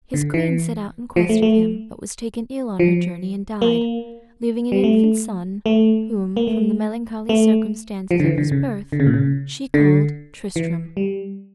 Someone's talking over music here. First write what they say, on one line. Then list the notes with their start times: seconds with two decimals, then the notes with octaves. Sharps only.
His queen set out in quest of him, but was taken ill on her journey, and died, leaving an infant son, whom, from the melancholy circumstances of his birth, she called Tristram.
0.14 D3
0.34 E3
1.16 F3
1.29 A3
1.42 A3
2.80 F3
3.62 A#3
4.72 G3
4.84 A3
5.66 A3
6.37 A#3
6.47 A3
7.29 A3
8.11 F3
8.20 D3
8.25 E3
8.38 D3
8.52 C#3
8.92 D3
9.00 C#3
9.07 A#2
9.14 C#3
9.74 D3
10.56 E3
10.97 G3